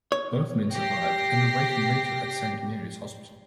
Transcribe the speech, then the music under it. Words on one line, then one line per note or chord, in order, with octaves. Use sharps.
Both men survive and awaken later at Saint Mary's hospital.
C#5
G4 A#6 C7